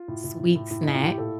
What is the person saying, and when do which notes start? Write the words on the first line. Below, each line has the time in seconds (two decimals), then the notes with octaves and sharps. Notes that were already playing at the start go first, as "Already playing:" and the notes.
sweet snack.
Already playing: F4
0.08 A2
0.24 A2
0.40 A2
0.55 A2
0.71 A2
0.83 A2 D#4
0.95 F4
1.02 A2 G4
1.18 A#2 A4